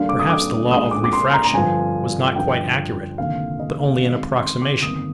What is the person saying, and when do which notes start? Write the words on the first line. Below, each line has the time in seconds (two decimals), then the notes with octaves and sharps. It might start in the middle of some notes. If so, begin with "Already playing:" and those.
Perhaps the law of refraction was not quite accurate, but only an approximation.
Already playing: D2 D3 G3 A#3 D4 F5
0.09 D6
0.19 D#6
0.30 D6
0.71 A#1 A#2 G#3 D4 D#6
0.91 D6
1.04 D6
1.13 C6
1.33 A#5
1.45 A#5
1.53 G2 D3 F3 G#5
2.35 G2 D3 F3 G5
3.18 F1 D#2 D3 F3 F5
3.60 D#5
3.80 F5
4.01 F2 D#3 G#3
4.41 C6
4.62 D6
4.82 G1 F2 D#3 A#3 D#6